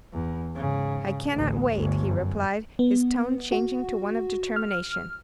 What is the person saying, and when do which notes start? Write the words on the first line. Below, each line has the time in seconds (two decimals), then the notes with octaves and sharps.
"I cannot wait," he replied, his tone changing to one of determination.
0.13 E2
0.54 G#2 C#3
1.32 A1 D2
1.72 G1 D2
2.05 F#2
2.79 B3
3.52 F#4
4.56 F6